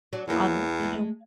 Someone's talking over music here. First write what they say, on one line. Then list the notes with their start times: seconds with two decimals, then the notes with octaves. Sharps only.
Um, you know
0.13 F#3 D4
0.28 E2 F#3 A#3 E4
0.80 G#3 A3